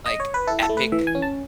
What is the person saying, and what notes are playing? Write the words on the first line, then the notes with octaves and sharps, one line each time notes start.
like, epic
D#5
C#5
B4
E4 A4
A4
A3
B4
E3 E5
G#5
C#4
A5